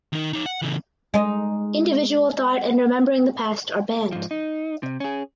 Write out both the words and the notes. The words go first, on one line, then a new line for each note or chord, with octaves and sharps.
Individual thought and remembering the past are banned.
D#3 D#4
D#4 C#5
F#5
C#3 E3
G#3 D#4
G#2 F3
D#4
C3
C#4 G#4